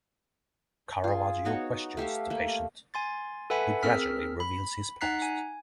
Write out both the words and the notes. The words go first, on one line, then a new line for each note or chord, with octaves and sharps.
Caravaggio questions the patient, who gradually reveals his past.
F4 G#4
B3 D#4 F#4 C#5
A3 G4 E5 F5
A3 A#3
G#5 C6 A6
A4 B4 E5 F#5 G#5 B5
C4 G#4 A#4 E6 F6 B6
B5
D#4 F#5 A#5 F#6 B6 C7
G#5